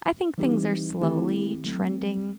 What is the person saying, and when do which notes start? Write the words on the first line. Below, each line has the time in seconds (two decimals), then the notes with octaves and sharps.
I think things are slowly trending
0.38 E3 G3 C4 D#4 G4
1.01 D#3 A3 C4 E4 G4
1.65 F#3 A3 C4